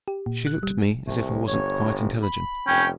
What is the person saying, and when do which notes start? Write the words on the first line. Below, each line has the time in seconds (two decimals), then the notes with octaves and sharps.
She looked at me as if I wasn't quite intelligent.
0.08 G4
0.26 A#2
0.47 F#6
0.63 G3
1.07 C2 A3
1.47 G1 C#5
2.23 B5
2.67 F1 C#4 G5